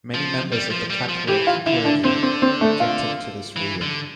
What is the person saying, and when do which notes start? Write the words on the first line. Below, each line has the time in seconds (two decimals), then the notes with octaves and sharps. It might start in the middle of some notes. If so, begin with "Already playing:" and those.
Many members of the Catholic clergy objected to this ruling.
0.14 F3
0.52 G3
0.71 F3
0.90 G3
1.09 F3
1.28 E3 G4
1.47 F4
1.66 D3 E4
1.85 D4
2.04 D3 C4
2.23 C4
2.42 C4
2.61 A3
2.80 F4
3.56 E3
3.82 D3